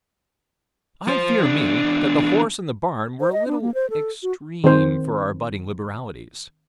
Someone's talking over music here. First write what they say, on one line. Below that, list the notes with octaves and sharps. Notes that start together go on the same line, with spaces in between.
I fear me that the horse and the barn were a little extreme for our budding liberalities.
F3 C5
E2 D4
C5
D#5
D4
A#3
C5
A4
F#4
D#3 C4 C5